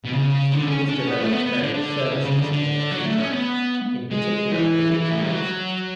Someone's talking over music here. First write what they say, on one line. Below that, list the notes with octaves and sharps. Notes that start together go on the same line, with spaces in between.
Students developed various services in their free time, in particular the dictionaries.
B2
C#3
D3
C#4
D4
C#4
B3
A3
B3
B3
D3
D3
C#3
C#3
D3
D3
F#3
A3
C#4
B3
G#3
E3
E3
A3
G#3
F#3